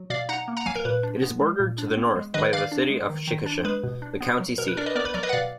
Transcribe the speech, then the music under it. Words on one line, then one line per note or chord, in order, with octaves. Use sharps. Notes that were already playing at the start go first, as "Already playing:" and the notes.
It is bordered to the north by the city of Chickasha, the county seat.
Already playing: F#3
B2 D5 F5
D#4 F#5 A#5
A#3
F#5 A#5
F#3 F5 G#5
A#4
A#2 B4
D4
B3
G#3
A#2
D4
B3
G#3
D#3 B4 D#5
D#3 D5 F5
D4
G#3
D#3
D#3
D4
G#3 B4
B2
D4
B3
F#3
B2 A#4
B4
D4 A#4 D5
B4 D#5
B3 A#4 D5
B4
F#3 A#4 D5
B4 D#5
F#5
B2 D5 F5